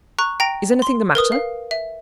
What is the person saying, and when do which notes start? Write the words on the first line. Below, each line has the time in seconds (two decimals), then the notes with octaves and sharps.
Is anything the matter?
0.19 A#5 C#6 F#6
0.40 G5 A#5 A#6 D7
0.82 C6
1.15 A#4 B4 D#6
1.32 F5
1.71 E5